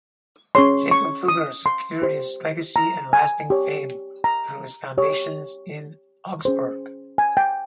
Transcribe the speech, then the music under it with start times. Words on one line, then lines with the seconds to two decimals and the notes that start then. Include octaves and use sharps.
Jakob Fugger secured his legacy and lasting fame through his foundations in Augsburg.
0.55 C#4 G#4 C#5 C6
0.91 C#6
1.28 D#6
1.66 C6
2.02 G4 C5
2.76 A#5
3.13 G#5
3.50 G4 C#5
4.24 A#5
4.98 G4 C#5
6.45 C#4 G#4 C5
7.18 G#5
7.37 G5